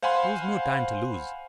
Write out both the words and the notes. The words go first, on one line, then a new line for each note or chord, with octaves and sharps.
There was no time to lose.
C5 F5 F#5 G#5 B5 C6